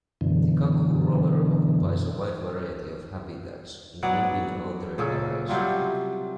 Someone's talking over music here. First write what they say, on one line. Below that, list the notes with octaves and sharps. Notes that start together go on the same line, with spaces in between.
The cuckoo roller occupies a wide variety of habitats, including altered areas.
F#2 B2 D3 E3
F#3 B3 D5 F#5
A#2 C#3 A4
C3 F#3 G3 F4